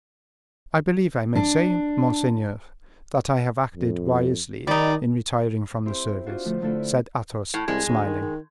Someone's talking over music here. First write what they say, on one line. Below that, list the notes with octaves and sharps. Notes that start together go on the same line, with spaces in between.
"I believe I may say, monseigneur, that I have acted wisely in retiring from the service," said Athos, smiling.
D4
F2
D#3 G3 D#4 D5
C4 E4 G4 C6
D4 F4 F#4 C5
D3 F3 A3
D3 A3 E4 F4 A4
E4
A2
C2 G#3
D2
D#3
D#3